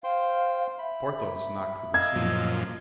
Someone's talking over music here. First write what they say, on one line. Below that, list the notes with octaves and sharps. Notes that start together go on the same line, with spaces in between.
Porthos knocked with his hand.
C5 F5 G5 C6
E5 B5
D#5 F5 E6 G#6
F#2 A#2 F3